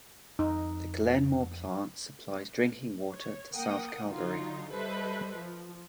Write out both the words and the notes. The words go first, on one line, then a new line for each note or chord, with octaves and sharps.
The Glenmore plant supplies drinking water to south Calgary.
F2 D#4
C#5
A#3 A#4 F#5 G5 D#6
D3 F#3 D#4 F4
G3 A4 B4 C5 D#5 E5
F3